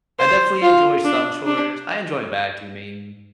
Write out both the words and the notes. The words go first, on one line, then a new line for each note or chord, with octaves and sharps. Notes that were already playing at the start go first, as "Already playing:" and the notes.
I definitely enjoy some chores, I enjoy vacuuming.
C5
F4
D4
D4